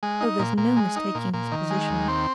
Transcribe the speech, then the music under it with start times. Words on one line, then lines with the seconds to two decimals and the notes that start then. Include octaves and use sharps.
Oh, there's no mistaking his position.
0.03 G#3
0.21 D#4
0.39 A#2
0.58 A#2
0.76 G#3
0.96 D#4
1.15 A#2
1.34 A#2
1.52 D#3
1.70 G#3
1.89 D#2
2.08 C4